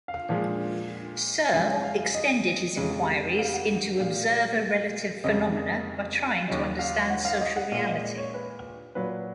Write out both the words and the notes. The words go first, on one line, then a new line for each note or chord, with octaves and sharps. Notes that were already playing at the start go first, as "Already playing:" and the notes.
Searle extended his inquiries into observer-relative phenomena by trying to understand social reality.
F5
A#2 F3 G#3
F#2 C#3 F3 G#3 G#5
F5
D#5
F2 C#3 G#3
F5
F#5
A#2 G#3 F5
F2 C#3 G#3 D#5
D#2 C#3 F#3 D#5
F5
F#5
F5
D#5
F#5
A#2 G#3 F5
D#5
D#5
C#5
B4
A#2 F#3 B4